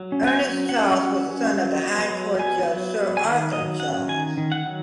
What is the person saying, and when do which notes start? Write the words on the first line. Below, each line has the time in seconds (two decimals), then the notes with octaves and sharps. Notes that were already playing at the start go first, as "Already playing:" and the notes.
Ernest Charles was the son of the High Court judge Sir Arthur Charles.
Already playing: F#3
0.12 C#4
0.27 G#5
0.41 F#3
0.69 C#4 F#5
0.97 F#3
1.26 C#4
1.53 F#3
1.83 B3
2.10 F#3
2.39 B3 G#5
2.68 F#3
2.95 B3
3.17 G#5
3.23 D#3 F#5
3.51 F#3 D#5
3.80 C#4 F#5
4.08 D#3 G#5
4.37 D#3
4.52 F#5
4.66 F#3